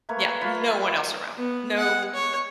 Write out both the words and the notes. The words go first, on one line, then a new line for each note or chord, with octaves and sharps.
Yeah, no one else around. No
A3 A#3 B4 C#5
F4 B4 C#5 G5
B3
F#5
C#5